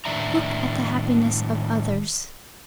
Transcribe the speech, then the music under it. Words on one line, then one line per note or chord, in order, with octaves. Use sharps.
"Look at the happiness of others."
A2 D#3 D4 E5 A#5